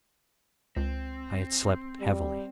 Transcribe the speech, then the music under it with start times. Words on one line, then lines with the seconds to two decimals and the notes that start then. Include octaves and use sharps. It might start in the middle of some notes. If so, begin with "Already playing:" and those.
I had slept heavily.
0.77 C#2 C4
2.01 G3